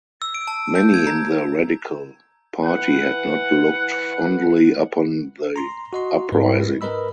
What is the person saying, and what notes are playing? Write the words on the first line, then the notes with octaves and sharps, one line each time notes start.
Many in the Radical Party had not looked fondly upon the uprising.
E6
D7
A5
G6
G#6
A#5
E3 B4 F#5
A#5 C6
F#4 D#5 C6
G#2 A#4 B4
A#4 B4 D#5 B5 E6